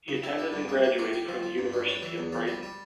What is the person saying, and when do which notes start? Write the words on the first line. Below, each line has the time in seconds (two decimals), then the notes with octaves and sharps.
He attended and graduated from the University of Brighton.
0.08 C#3
0.23 E4
0.38 G3
0.52 G2
0.68 A#3
0.83 A#3
0.98 G4
1.13 G4
1.28 F3
1.43 F3
1.58 G2
1.73 G3
1.88 C#4
2.02 E3
2.18 E2
2.32 F3
2.47 G3
2.63 G3